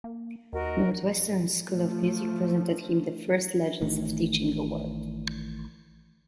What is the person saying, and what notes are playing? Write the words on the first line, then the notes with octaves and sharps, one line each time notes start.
Northwestern's School of Music presented him the first Legends of Teaching award.
A#3
D#2 F#4 A#4 D#5
F3 A3
A1 A2 D#3